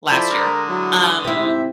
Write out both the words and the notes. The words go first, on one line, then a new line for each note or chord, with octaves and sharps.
last year. Um,
F3 E4 A4 C5 D5 B5
D3 G#3 A#4
F#3 E4 D#6
G#2 C3 C4 E4 E5